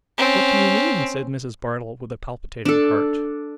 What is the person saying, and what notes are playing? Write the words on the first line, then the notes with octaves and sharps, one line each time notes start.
'What do you mean?' said Mrs. Bardell, with a palpitating heart.
C4 C#4
D4 A4